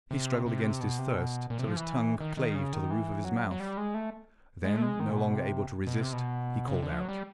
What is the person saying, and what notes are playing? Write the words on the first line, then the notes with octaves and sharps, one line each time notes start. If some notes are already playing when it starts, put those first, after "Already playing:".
He struggled against his thirst till his tongue clave to the roof of his mouth; then, no longer able to resist, he called out.
C3
C3
B2
C3
B2
A#2
C3
F3
E3
D#3
D#3
C#3
D#3
E3
F#3
F#3
G3
G#3
A3
G#3
A3
G#3
D#3
A#2
B2
C3
B2
C3
B2
C#3
C3
D3
F3
F#3
G3